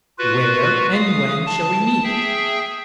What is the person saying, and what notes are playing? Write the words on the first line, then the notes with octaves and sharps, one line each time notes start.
Where and when shall we meet?
F4 F#4 B4
F5 D#6
A5
G#4 E5 G5